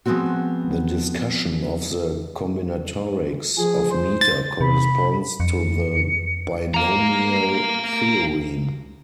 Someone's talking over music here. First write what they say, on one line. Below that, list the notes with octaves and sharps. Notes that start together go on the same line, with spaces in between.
The discussion of the combinatorics of meter corresponds to the binomial theorem.
F3 G#3 A3 B3 C4 F#4
F3 G#4
C5
A6
C3 B5
F2 C#7
F5 A#5